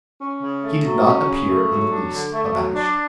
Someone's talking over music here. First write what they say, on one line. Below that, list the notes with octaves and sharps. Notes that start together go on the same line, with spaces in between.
He did not appear in the least abashed.
C#4
C#3
A3
F#3
C#4
C#3
A3
F#3
D4
D3
A3
F#3
D4